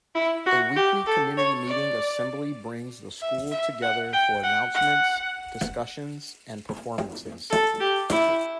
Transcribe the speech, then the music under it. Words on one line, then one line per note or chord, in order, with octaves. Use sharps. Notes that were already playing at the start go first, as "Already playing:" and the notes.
A weekly community meeting assembly brings the school together for announcements, discussions and performances.
E4
F#4
G4
A4
C#5
D5
E5
E5
F#5
G5
F#5
F#5
A4
G4
E4